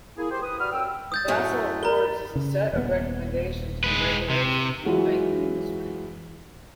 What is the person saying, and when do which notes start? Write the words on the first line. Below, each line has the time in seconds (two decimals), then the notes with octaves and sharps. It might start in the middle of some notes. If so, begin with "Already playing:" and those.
The Basel Accords is a set of recommendations for regulations in the banking industry.
0.17 A#3 E4 G#4
0.30 G4 C5
0.42 B4 D#6
0.59 F#4 G4 D5 B5 F6
0.72 F#2 G5 E6
1.12 D#6 G6 A6
1.28 F#2 A2 A3
1.83 A#4 B4 A#5 G7
2.36 C#3
2.73 D#1 B3
3.84 G#3 B4
4.30 C3
4.85 E3 F#3 G#3 F4 F#4